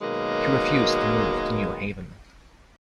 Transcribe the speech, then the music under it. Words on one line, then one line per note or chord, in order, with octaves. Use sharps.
He refused to move to New Haven.
B2 D#3 F#3 G#3 A#3 B4